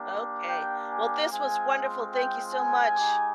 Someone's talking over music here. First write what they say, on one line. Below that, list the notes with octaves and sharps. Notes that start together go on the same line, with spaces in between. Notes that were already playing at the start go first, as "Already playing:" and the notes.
Okay. Well, this was wonderful, thank you so much.
Already playing: A#3 D4 G4
G5
G#5
G#3 C4 F4 G#5
G5
G#5
G#3 D#4 G4